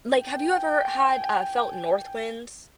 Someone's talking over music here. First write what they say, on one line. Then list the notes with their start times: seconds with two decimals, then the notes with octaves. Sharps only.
Like, have you ever had uh, felt north winds?
0.24 G5 G#5